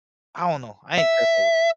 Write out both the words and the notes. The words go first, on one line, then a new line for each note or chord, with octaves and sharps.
I don't know. I ain't care for L
E5